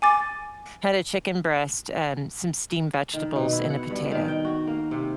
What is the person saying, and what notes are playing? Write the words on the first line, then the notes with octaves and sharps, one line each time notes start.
had a chicken breast and some steamed vegetables and a potato.
G#5 D6 A6
D#3
B2
E4
F#5
G2
D#3
G5
F#4
A#3
C3